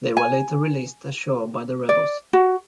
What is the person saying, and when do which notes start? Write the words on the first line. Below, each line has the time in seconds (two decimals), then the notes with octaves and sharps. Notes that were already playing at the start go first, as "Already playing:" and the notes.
They were later released ashore by the rebels.
0.17 G#5
1.89 D5
2.33 F#4